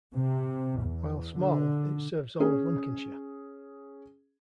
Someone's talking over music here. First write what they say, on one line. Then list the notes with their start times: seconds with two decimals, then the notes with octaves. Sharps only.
While small, it serves all of Lincolnshire.
0.16 C3
0.83 E2
1.38 D3
2.40 C#4 G#4